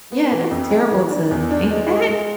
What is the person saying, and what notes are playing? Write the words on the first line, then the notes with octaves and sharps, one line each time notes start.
Yeah, that's terrible to think that.
B3
E3
F2
G#3
E3
D4
E2
D4
G#3
G#3
G#3